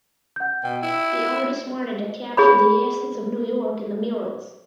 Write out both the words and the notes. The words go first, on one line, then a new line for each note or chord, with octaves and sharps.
The artist wanted to capture the essence of New York in the murals.
F#5 G6
B2 G5
E4
G#4 C#5 B5